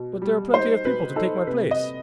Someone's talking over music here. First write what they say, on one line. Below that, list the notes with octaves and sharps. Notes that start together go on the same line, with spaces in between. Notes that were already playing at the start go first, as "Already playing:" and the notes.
But there are plenty of people to take my place.
Already playing: B2
G3
D#4 C5
B2 B4
D#4 A4
C3 B4
D#5